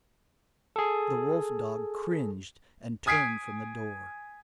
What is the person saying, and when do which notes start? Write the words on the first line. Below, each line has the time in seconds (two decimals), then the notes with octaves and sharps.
The wolf-dog cringed, and turned from the door.
0.76 G#4 A4
3.06 G#5 D#6 G#6 B6 C7 D7